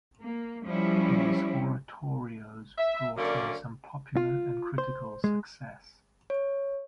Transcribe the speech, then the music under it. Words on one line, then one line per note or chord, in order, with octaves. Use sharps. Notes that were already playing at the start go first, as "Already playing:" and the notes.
His oratorios brought him some popular and critical success.
A#3
F3 G3 C#4 E4
E5
F#2 D3 A#3 C#4 D5
F4
C5
G#3
C#5